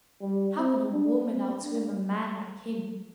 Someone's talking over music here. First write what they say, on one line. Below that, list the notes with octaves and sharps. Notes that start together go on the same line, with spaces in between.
How could a woman outswim a man like him?
G3
C4
D4
C4
D4